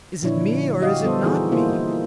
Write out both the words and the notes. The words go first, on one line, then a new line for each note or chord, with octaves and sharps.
'Is it me, or is it not me?
A#2 D3 F3 D4 E4 C#5
D3 F3
F#4 G4 D#5 F5
G3 B3 A4 C5
E3 D#4 F#4 G#4 A4
A#3 E4 F4 C5